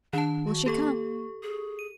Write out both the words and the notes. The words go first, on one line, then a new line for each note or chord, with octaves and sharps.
Will she come?
D#3 D4 A5
F#4
A#3 G4 A4 C#6
G#4
D#7